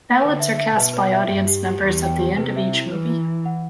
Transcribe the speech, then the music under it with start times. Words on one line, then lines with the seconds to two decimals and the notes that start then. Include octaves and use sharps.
Ballots are cast by audience members at the end of each movie.
0.21 D3 B4
0.40 E5
0.58 E5
0.76 B2 B4
0.93 B4
1.12 E5
1.30 G2 G4
1.48 G4
1.65 G4
1.83 E2 G4
2.02 G5
2.19 G4
2.37 C3 B4
2.56 E5
2.73 E4
2.91 E3 B4
3.09 E4
3.28 E4
3.45 F#5